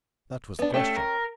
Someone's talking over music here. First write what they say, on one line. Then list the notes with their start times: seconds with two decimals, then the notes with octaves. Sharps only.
That was the question.
0.59 B3 D4
0.74 A3 C#4 G4 G5
0.96 A#4